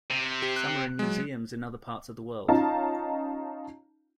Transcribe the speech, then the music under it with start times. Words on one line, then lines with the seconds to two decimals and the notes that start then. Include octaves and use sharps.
Some are in museums in other parts of the world.
0.11 C3
0.42 G4
0.56 F#6
0.99 F#3 G#3
2.48 C#4 D#4 F4 F5 A5 A#5